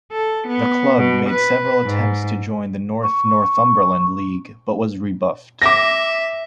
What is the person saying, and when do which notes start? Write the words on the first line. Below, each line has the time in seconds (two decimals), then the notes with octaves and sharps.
The club made several attempts to join the North Northumberland League but were rebuffed.
0.12 A4
0.48 B3
0.97 B2
1.29 B4
1.85 G#2
3.03 C#6
5.62 E5 D6 A#6